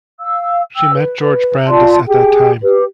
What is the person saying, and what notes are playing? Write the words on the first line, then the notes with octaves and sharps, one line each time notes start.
She met Georg Brandes at that time.
F5 E6
G5 E6
B4
F4 D5 A5 C6
G4 G#4 G5
G4 B4